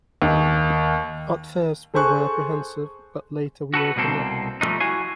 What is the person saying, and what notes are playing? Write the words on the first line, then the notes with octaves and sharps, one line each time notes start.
At first we were apprehensive, but later we opened up.
D#2
G#4 A4 C5 G#5 C#6 F#6
F#4 A4 B4
C2 B2 A#3 C4 A4
F3 G3 A3 D4 D#4
E4 F#4 F5 G#5